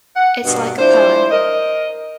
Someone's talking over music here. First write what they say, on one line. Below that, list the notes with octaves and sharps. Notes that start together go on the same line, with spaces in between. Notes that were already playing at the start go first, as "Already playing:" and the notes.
It's like a poem.
F#5
G2 B2
F3 D4 E4 C5
A#4 D#5